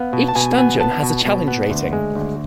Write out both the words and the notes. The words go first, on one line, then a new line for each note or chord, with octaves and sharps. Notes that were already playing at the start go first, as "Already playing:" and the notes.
Each dungeon has a "challenge rating".
Already playing: B3 F5
B2
A5
B2 G#5
B3 G#5
B3 A5
B2
B2
B3
D2
G#3
D2